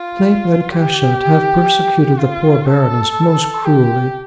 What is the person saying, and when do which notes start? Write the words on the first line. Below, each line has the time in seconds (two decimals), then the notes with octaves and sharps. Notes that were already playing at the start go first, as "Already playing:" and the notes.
Snape and Cashett have persecuted the poor Baroness most cruelly.
Already playing: F4
0.70 G4
2.18 F4
2.67 A4
3.65 G4